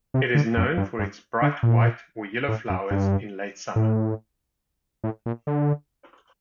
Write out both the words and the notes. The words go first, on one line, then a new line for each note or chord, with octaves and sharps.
It is known for its bright white or yellow flowers in late summer.
C3
D3
F#2
G2
G2
D3
A#2
A2
F#2
G2
A2
A2
A#2
D3